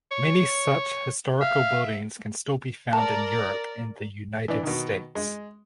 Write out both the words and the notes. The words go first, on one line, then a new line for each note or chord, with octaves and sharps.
Many such historical buildings can still be found in Europe and the United States.
C#5
E5 F5
A#4 D5 A5
E3 D4
B2 D#3
G#3